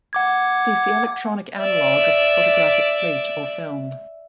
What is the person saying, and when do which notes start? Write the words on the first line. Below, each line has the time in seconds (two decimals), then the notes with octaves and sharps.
It is the electronic analog of the photographic plate or film.
0.13 F#5 D6 G#6
1.59 D5 E5